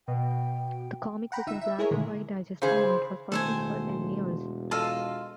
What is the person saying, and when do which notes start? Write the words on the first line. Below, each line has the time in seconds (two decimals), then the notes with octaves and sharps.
The comic book, in black and white digest format, was published for ten years.
0.08 B2 G5
1.32 F#5 G5 A#5 B5
1.47 G1 D#4 E5 E6
1.61 E5
1.79 E4 G#4 A#4 C#5
1.91 A#2 D3 D#3 G#3
2.62 C#3 E3 G#4 C5
3.32 E1 A2 D#3 A3 A4 C5 G#5
4.71 F4 A4 D#5 F5 A5